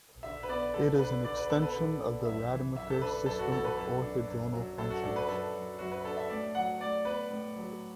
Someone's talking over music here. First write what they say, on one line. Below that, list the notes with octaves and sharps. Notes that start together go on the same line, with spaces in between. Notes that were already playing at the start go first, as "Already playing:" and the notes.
It is an extension of the Rademacher system of orthogonal functions.
D3 E5
B4
B3 D5
D3 A4
D4 B4
D3 D5
B4
B3 A4
B4
D3
D4
F#2 E5
E3
F#2 E5
A4
D4 B4
F#2 A4
F#4
E3 A4
B4
F#2 A4
D4
F#2
F#3
F#2 A4
F#4
D4 A4
B4
F#2 A4
F#3
F#2 F#4
B4
D4 A4
E5
A2 D5
F#3 F#5
A2 D5
B3 B4
A2
F#3